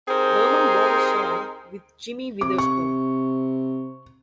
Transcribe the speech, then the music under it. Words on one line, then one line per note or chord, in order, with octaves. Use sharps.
Berman wrote a song with Jimmy Witherspoon.
C4 D#4 G4 G#4 A#4 C5
C3 D6
C#6